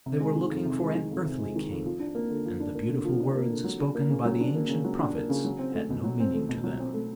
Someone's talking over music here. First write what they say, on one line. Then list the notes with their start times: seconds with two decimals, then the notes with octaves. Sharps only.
They were looking for an earthly king, and the beautiful words spoken by the ancient prophets had no meaning to them.
0.06 C3
0.20 G#3
0.36 D#3
0.51 F2
0.65 C3
0.81 G#3
0.95 D#3
1.11 F2
1.25 C3
1.40 G#3
1.55 D#3
1.70 F2
1.86 F3
2.00 D4
2.15 A#3
2.30 D3
2.45 F3
2.60 D4
2.75 A#3
2.90 D3
3.05 F3
3.20 D4
3.35 A#3
3.50 D3
3.64 F#3
3.79 D4
3.95 A#3
4.09 C#3
4.25 F#3
4.40 D4
4.55 A#3
4.69 C#3
4.84 F#3
4.99 D4
5.15 A#3
5.29 C#3
5.45 F#3
5.59 C4
5.74 A3
5.90 B2
6.04 F#3
6.20 C4
6.34 A3
6.49 B2
6.64 F#3
6.80 C4
6.94 A3